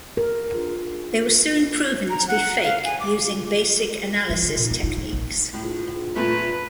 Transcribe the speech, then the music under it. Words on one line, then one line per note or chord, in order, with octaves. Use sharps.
They were soon proven to be fake using basic analysis techniques.
A#4
A#5
F#5
F5
G#5
D6
F3
C#3
A#2
B3
F4
A3
A#1
A2
A#2 A3 B4